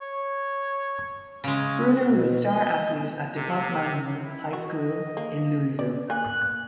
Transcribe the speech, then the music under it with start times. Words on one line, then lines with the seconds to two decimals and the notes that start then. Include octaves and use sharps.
Bruner was a star athlete at duPont Manual High School in Louisville.
0.02 C#5
1.44 C#3 G#3 C#4
2.06 B2
2.47 D#5
3.34 C3
4.20 E4
4.53 F#4 D#5
5.17 A#3
5.79 D5
6.10 A#3 G#5 F#6